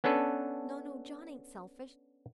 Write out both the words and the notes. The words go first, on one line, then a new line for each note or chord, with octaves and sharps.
'No, no; John ain't selfish!
B3 C#4 D4 A4 B4